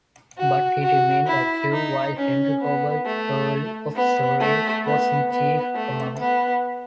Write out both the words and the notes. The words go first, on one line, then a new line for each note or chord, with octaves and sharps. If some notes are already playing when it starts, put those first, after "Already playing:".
But he remained active while Henry Howard, Earl of Surrey was in chief command.
F#4
F#4
E4
D#4
C#4
B3
A3
B3
A3
B3
B3
A3
B3